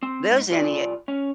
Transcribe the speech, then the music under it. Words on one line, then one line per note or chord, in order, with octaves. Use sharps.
there's any o
C4
G#2
C2 F4 D5
C#4